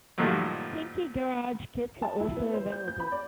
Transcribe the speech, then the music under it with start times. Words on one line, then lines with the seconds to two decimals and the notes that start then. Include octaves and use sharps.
Pinky garage kits are also available.
0.18 G2 A#2 D#3 F3 F#3 A3
2.02 A5
2.20 E4
2.37 B3
2.53 C5
2.72 G6
2.88 G6
3.00 B5
3.12 D5